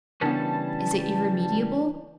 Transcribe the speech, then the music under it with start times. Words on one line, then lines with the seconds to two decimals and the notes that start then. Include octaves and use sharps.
'Is it irremediable?'
0.21 C#3 E3 G3 B3 C#4 D4 A#4 A5